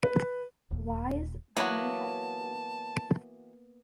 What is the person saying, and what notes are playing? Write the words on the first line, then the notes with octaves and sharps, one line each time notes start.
Wise, Junior High School.
B4
D1 D#2 A#2
E3 F#3 A#3 B3 F#4 A5